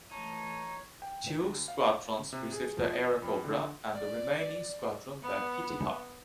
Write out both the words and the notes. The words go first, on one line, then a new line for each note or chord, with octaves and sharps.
Two squadrons received the Airacobra and the remaining squadron the Kittyhawk.
E3 A3 D#4 C#5 A5
G5
D2
F5
C3
G#4
F3
D#5
F2
D3
D5
B3